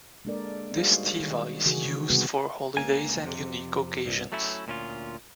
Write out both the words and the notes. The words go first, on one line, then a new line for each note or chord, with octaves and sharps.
This tevah was used for holidays and unique occasions.
G#3 A#3 D4 A4 A#4 D5
G3 D#4 F#4 G#4 C5 F5
D#3
C#3 E3 F#4 G#4
D#3
C3 G3 B3 F#4 G#4 B4
C#2 C3 A#3 G#5
F2 C3
C2 G2
F#3 A3 C#4 E4
D2 A#2 C#4 E4 F4